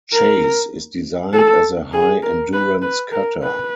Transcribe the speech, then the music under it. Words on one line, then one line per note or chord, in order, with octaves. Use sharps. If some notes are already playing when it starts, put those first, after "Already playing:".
"Chase" is designed as a high endurance cutter.
A#4
A4
G#4
A#4
B4
B4
A#4
B4